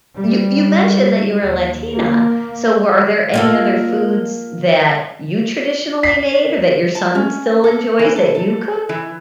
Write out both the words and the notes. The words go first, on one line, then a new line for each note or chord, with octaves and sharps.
You you mentioned that you were a Latina, so were are there any other foods that you traditionally made or that your son still enjoys that you cook?
G3
D#2
A#3
A#3 F4 A4
B6 C7
A5
C#4
A4
E3
A4
A4
E3